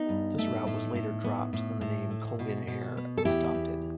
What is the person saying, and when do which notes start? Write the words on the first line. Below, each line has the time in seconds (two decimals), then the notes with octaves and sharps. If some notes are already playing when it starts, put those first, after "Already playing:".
This route was later dropped and the name Colgan Air adopted.
Already playing: B3 D#4
0.09 G2
0.38 A3
0.67 A2
0.96 A2
1.24 B3
1.53 A2
1.81 A2
2.10 A3
2.39 B2
2.68 B2
2.97 B3
3.18 A4
3.25 E2 E4 G4
3.55 E2